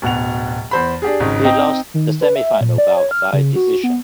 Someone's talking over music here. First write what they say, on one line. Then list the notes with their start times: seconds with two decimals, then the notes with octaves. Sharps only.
He lost the semifinal bout by decision.
0.02 D1 B2 F#5 F7
0.71 E2 C5 B5
1.02 D4 G4 G#4
1.20 G#1 C#3 D#4
1.44 C4 D#4 D#5 G5
1.94 D#3
2.21 B4
2.36 E5
2.61 A#2
2.78 D5
2.97 C#5
3.11 F6
3.33 C#3
3.56 F#4
3.84 B3